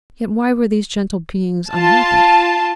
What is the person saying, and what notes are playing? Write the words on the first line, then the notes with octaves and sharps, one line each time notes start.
Yet why were these gentle beings unhappy?
F4 A5